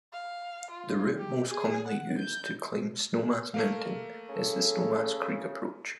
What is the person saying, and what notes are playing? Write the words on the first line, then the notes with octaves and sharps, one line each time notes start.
The route most commonly used to climb Snowmass Mountain is the Snowmass Creek approach.
F5
F4
G4
G#4
F#5
G6
A3 A#3 F5
C#3 A4